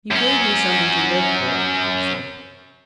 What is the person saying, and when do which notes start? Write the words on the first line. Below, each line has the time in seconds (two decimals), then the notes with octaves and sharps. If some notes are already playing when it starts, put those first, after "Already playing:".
"You gave me something to live for," he said.
0.11 F#2 C#4